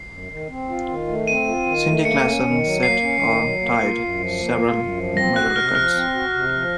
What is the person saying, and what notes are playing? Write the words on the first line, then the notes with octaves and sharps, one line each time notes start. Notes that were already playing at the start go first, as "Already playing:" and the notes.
Cindy Klassen set or tied several medal records.
Already playing: C7
F#2
D#3
C4
F4
D#3
A3
C4 D#7
F4
D#3
A3
A#3 C#7
C#4
D#3
F#3
A#3 C7
C#4
D#3
F#3
A#3
F4
F#2
F3
A#3
F4
F#2
F3
C4 A#6
F#4 F#6
C3 F6
F3 F6
C4
F#4
C3
F3